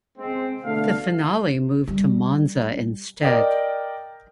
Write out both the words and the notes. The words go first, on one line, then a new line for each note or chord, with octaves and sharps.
The finale moved to Monza instead.
G#3 C4
B2 D3 A3 F5
G3
A#4 D5 D#5 G5